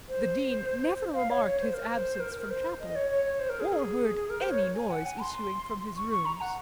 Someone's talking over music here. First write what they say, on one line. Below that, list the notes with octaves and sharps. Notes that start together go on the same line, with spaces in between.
The Dean never remarked his absence from Chapel, or heard any noise issuing from his rooms.
C5
F5
C#5
C#5
C5
A#4
C5
A#4
A#4
C5
D#5
C#5
C#5
C#5
C5
A#4
G#4
A#4
G#4
A#4
C5
C#5
G#5
F#5
G#5
C6
C#6
C#6
A#5
F#5